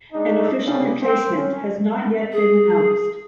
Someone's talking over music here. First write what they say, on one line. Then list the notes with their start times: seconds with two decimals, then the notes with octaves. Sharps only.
An official replacement has not yet been announced.
0.13 G#3 D4 D#4
0.64 C2 C#3 G3
1.03 C4
1.35 C#4
2.33 G#4